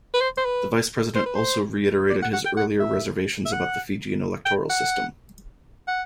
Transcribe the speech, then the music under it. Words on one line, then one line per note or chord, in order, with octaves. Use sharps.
The Vice-President also reiterated his earlier reservations about the Fijian electoral system.
B4
C5
C5
B4
C5
B4
C5
D5
F#5
F#5
G5
F#5
E5
E5
F#5
G5
F#5
F#5